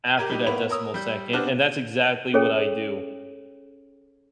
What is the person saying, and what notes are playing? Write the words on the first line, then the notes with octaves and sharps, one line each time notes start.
after that decimal second, and that's exactly what I do,
G4 A#4 A#5 G#6 D#7
G3 D#4 G4
A2 A#3 B3 E4 B5 F7
A#4 C#5 D#6 E6
G3 G6
B3 C4 D4 G4 F6 F#6
C#4 G#4 A4 C#5 G5